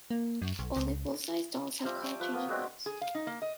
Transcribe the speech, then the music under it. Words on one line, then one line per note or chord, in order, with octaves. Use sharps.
Only full-sized dolls have color-changing eyes.
A#3
F#2
B1
C#2
F3 G3 C4 E5
D5 G5 C#6
F3 B4
A#3 B3 B4
F#3 G#3 C4 D5
G#4
F5
D#4
A#3
D#5